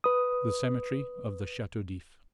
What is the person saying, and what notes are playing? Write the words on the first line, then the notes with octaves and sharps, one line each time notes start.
The Cemetery of the Chateau D'If.
B4 D#6